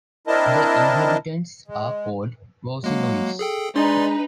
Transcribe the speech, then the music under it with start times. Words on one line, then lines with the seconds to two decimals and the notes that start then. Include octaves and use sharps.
The inhabitants are called "Vouzinois".
0.27 C4 D4 E4 A#4 D#5 A5
1.68 G#3
2.84 F#3 G#3 A#3
3.39 G#4 A4 G5
3.76 G#3 D4 D#4 B4 D5 C6